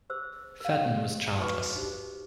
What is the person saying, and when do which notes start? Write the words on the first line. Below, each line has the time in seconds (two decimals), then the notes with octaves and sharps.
Fedden was childless.
0.10 G#4 C5 E6
0.60 A#4 F5
1.39 D#4 F#4 B4 B5 C#6 D6
1.75 D#4 G4 C5